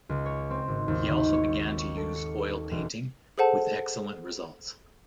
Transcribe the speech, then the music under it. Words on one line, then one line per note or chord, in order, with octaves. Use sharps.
He also began to use oil painting, with excellent results.
C#2
C#5
C4
G#1
D#2
D#3
C#5
C#6
A4
C#7
E1
G#4 A4 C5 F#5 A5